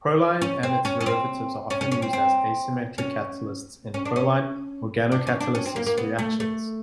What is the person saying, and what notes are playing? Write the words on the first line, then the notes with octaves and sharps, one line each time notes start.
Proline and its derivatives are often used as asymmetric catalysts in proline organocatalysis reactions.
C#4
C4
C#4
C#4
C4
C#4
C#4
C#4
C4
C4
C#4
C#4
D4
C#4
D4
C#4
D4
C#4
C4
A#3
A#3
B3
A3
A3